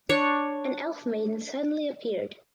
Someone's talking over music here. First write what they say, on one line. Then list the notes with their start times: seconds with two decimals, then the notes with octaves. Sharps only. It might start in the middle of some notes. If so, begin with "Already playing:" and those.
An elf maiden suddenly appeared.
0.09 D4 C#5